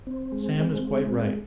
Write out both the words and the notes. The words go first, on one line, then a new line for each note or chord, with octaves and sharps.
'Sam is quite right.
C4
G#3
C4
G#3
C4